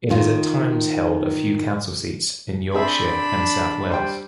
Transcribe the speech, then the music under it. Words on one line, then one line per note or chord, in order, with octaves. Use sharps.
It has at times held a few council seats in Yorkshire and South Wales.
D#3 F4
C4 D4 G#4 E5 B5
G3 C5 G5